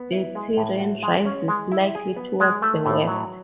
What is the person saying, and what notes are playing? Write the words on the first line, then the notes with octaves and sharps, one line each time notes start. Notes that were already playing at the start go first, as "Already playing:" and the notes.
The terrain rises slightly towards the west.
Already playing: B3
E4
G#3
A2
F#4
G#3
C#4
G#3
E4
G#4
B3
G#3
A3
A2
F#3